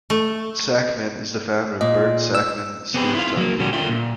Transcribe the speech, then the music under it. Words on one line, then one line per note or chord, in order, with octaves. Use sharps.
Sakmann is the founder of the Bert-Sakmann-Stiftung.
A3
A#2 D#5
E6
B3 C4 G4 G#4 A#4 B4
E4 F4 F5
F#3 A#3
A#2 D3 G3 C#4 F#4 G4
D3 F4 A#4 E5 G5
A#2